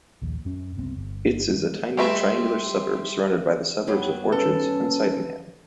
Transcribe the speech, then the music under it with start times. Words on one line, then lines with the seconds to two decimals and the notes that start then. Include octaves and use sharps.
Its is a tiny triangular suburb surrounded by the suburbs of Orchards and Sydenham.
0.22 A#1 D#2
0.45 F#2 C#4
0.76 F#1 C2 B3 C4
0.97 G1
1.50 D#3 G3 G#3 A#3
1.97 F3 G3 A3 C4 B4 E5
3.87 G2 F#3 B3
4.32 C#4 A4 B4